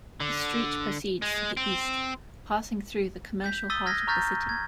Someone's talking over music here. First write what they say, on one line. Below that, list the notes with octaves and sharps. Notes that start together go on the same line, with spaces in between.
The street proceeds to the east, passing through the commercial heart of the city.
D3
G#3
C4
G6 B6
D#6 E6 A6 B6 D#7 G7
F6 G#6 A#6 B6
A#5 C#6 F6 G6 A6 B6
G#6